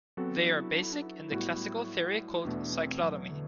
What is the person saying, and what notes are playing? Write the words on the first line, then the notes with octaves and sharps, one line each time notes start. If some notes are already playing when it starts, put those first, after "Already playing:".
They are basic in the classical theory called cyclotomy.
F#3 B3 C4 F#4 A4
D4
E4
D4
E4
D4
E4
A2 G3 B3 F#4
E2 B2 A3 D4
C4
F#3
D3